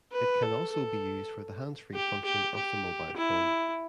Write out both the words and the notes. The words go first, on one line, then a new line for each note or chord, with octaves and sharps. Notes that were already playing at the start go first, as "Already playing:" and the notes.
It can be also used for the handsfree function of the mobile phone.
B4
A4
A4
G4
G4
G4
E4